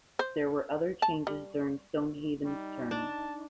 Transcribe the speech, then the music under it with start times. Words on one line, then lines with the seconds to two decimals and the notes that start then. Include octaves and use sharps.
There were other changes during Stonehaven's term.
0.19 C5
1.02 A5
1.27 G3
2.45 G3 D#4
2.91 D4 A5